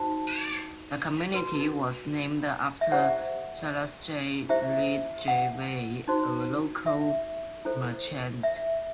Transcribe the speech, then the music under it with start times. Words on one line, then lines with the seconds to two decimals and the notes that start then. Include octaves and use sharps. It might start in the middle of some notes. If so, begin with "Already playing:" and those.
The community was named after Charles J. Ridgeway, a local merchant.
Already playing: D#4 F#4 C5 A5
1.34 F#4 B4
2.81 E5
2.92 E4 G4 C5 F#5
4.49 E4 G4 C5 E5
5.28 F#5
6.08 D#4 F#4 C5
6.86 E5
7.65 E4 A4 C5
8.43 E5